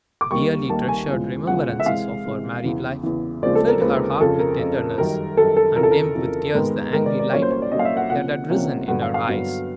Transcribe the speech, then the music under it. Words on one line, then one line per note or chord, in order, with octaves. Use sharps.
Dearly treasured remembrances of her married life filled her heart with tenderness, and dimmed with tears the angry light that had risen in her eyes.
D6
D#2 D#3 G3 A#3 C#6
D#2 D#3 G3 A#3 A5
G#5
E2 C#3 F3 G#3
E2 C#3 F3 G#3 F#5
E5
C3 E3 G#3 F5
C3 E3 G#3
E2 C#3 E3
E2 C#3 E3
D#2 C#3 F3 G#3 C4 D5
A4
A#4
D#2 C#3 F3 G#3 C4 B4
F2 C#3 F3 A4
A#4
F2 C#3 F3
F#2 D#3 G3 A#4
F#2 D#3 G3 A4
A4
F2 C#3 E3 A#4
A4
A#4
F2 C#3 E3
G#2 D#3 G#3 B3 A#4
G#2 D#3 G#3 B3 A#4
D5
D5
C2 A#2 F#3 A#3 C#4 C#5
C5
C#5
D5
C2 A#2 F#3 A#3 C#4 D#5
F5
E5
F#5
C3 F3 A#3 C#4 F#5
C3 F3 A#3 C#4
G2 D3 F#3 B3 F#5
F5
F5
G2 D3 F#3 B3